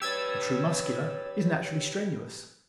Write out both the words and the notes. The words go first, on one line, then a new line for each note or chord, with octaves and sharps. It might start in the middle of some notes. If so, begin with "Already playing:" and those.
The true Muscular is naturally strenuous.
G4 B4 C#5 E6 G#6 A6